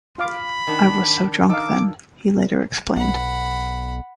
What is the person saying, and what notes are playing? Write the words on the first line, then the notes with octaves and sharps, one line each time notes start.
"I was so drunk then," he later explained.
F4 F5 B5 D6
D#3 D4 F#5
D#4 A4 F5 D6
B1 F#5 B5